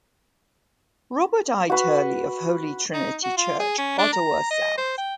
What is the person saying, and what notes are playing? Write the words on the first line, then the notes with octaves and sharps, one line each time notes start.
Robert I. Turley, of Holy Trinity Church, Ottawa South.
F#4 B4
D#4
F#4
F4
G#4
C#4
D4
A#5
D#5
C5
G5